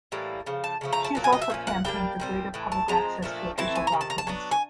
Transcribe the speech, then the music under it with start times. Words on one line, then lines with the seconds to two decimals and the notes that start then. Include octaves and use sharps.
She has also campaigned for greater public access to official documents.
0.12 A2 E3 G3 A#3
0.46 C#3 F3
0.64 A5
0.81 C#3 F3 A3
0.93 A#5
1.04 A5
1.15 A#2 F#3 A#3 D4
1.24 G#5
1.33 D#5
1.42 E5
1.50 A#2 F3 C#4
1.67 F#5
1.85 D3 G3 A#3 D4 G5
2.20 A#2 G3 C4
2.54 A2 E3
2.72 A5
2.88 F3 G#3 C4 A#5
3.22 A#2 F3 A3 D4
3.58 E3 A3 C4 E4 A5
3.76 G#5
3.87 A#5
3.92 C3 D#3
4.01 A5
4.10 A#5
4.18 A5
4.27 F#3 B3 D4
4.51 G#5